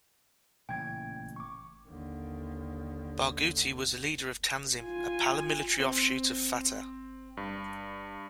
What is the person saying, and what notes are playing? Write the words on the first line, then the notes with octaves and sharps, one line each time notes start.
Barghouti was a leader of Tanzim, a paramilitary offshoot of Fatah.
A1 A#2 C#3 G5 G#6
C#6 D6
D#2 D3
F4 G#5
C4
G2